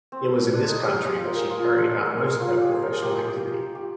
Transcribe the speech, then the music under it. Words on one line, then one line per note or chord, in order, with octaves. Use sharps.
It was in this country that she carried out most of her professional activity.
C4
D4
D#4
G4
G#4
G4
F4
A#4
G#4
F4
D4
D#4
A#4
G#4
F4
G4
G#4
A#4
G#4
G4
G#4
G4
G4